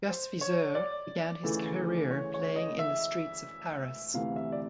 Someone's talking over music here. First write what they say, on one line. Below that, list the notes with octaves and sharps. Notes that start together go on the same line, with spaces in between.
Gus Viseur began his career playing in the streets of Paris.
C5
C#5
D5
D2 C#3 E3 A3
C#5
C#5
D#5
E5
D2 C3 E3 F5
E5
D5